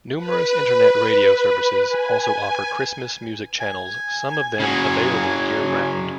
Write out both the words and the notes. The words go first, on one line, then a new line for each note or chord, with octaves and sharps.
Numerous Internet radio services also offer Christmas music channels, some of them available year-round.
B4
G#5
G#5
C#3 F#3